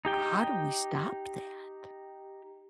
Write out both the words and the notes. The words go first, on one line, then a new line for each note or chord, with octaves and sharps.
How do we stop that?
D#4 G4 G5